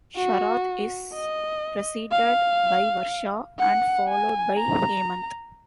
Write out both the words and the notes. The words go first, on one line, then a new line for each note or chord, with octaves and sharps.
Sharad is preceded by Varsha and followed by Hemant.
F#4
D#5
F5
F#5
G#5
A#5